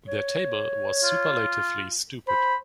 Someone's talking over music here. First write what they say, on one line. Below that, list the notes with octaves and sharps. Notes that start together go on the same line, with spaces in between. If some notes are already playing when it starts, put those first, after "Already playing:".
Their table was superlatively stupid.
C#5
F4
C5 B5